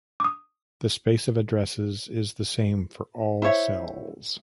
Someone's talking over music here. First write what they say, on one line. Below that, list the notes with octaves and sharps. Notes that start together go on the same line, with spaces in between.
The space of addresses is the same for all cells.
D6 D#6
E4 C5 C#5 E5